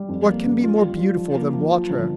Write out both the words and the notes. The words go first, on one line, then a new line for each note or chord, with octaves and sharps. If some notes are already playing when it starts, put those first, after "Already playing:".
What can be more beautiful than water?
Already playing: G3
F2
A#3
C#3
F4
G3
F4
F3
A#3
F3
F3
G1